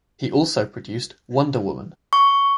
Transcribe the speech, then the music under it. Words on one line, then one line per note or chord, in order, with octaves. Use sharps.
He also produced "Wonder Woman".
C#6